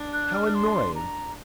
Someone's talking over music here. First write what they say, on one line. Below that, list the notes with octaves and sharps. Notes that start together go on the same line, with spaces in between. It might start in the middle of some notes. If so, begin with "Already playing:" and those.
'How annoying!
Already playing: D4
F#6
F6
C6
A#5